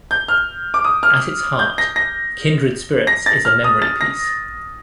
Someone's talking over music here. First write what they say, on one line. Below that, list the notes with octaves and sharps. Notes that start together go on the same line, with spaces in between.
At its heart, "Kindred Spirits" is a memory piece.
G6
F6
D6
D#6
F6
G6
A#6
A#6
A#6
A6
F6
D#6
A6
A#6